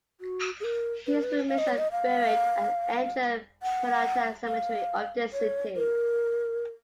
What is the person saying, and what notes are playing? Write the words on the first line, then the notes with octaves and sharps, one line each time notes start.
His remains are buried at Angela Peralta Cemetery of this city.
F#4
G#4
A#4
B4
A#4
B4
F5
D#5
C#5
D#5
F5
F#5
F5
C#5
A#4